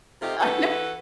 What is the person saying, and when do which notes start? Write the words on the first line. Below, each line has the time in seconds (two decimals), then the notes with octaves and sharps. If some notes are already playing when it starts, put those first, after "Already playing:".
I know,
0.21 C3 A3 D#4 F4 G4
0.40 E3 F#4 A4 B4